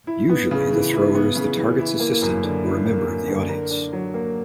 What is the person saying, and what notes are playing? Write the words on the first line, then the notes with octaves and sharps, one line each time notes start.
Usually the thrower is the target's assistant or a member of the audience.
E4
B3
C#3
E3
E4
B3
C#3
E3
E4
A#3
F#2
D3
E4
A#3
F#2
D3
A#4
D4
F#3
A#3